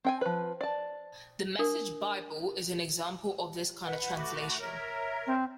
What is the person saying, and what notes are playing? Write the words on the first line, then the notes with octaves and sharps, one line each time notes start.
The Message Bible is an example of this kind of translation.
C4 G5 G#5
F3 B4 C5
D5 A5
D4 A#4 D#6
B4 F#5
A3 F#4 B5 D6
A#4 C#5 E5 A#5
C4